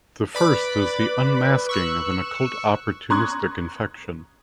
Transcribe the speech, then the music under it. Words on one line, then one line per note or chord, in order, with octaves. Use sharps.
The first is the "unmasking" of an occult opportunistic infection.
B4 D5 B5 D6
C#6 E6 F#6
A#5 C6 C#6 D#6 F#6 G#6